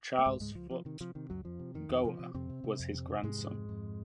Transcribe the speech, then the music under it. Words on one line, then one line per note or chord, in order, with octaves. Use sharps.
Charles Foote Gower was his grandson.
A#3
C#2 G#2 G#3
C#2 G#2 G#3
C#2 F3
C3 F3
C3 D#3
C3 F3
C3 D#3
C#2 F#2 F#3
F2 F3
C3
F2 D#3
F2
C3 F3
C3
F2 C3 C4
C3
C3
F2
C3
C3
G#2 C3 G#3
F2
F2
F2